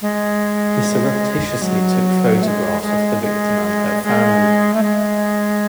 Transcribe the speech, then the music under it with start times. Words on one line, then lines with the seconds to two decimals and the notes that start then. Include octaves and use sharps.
He surreptitiously took photographs of the victim and her family.
0.02 G#3
1.62 F#3
2.42 A3
2.47 G#3
2.82 G#3
3.23 G#3
4.03 G#3
4.74 A3
4.83 G#3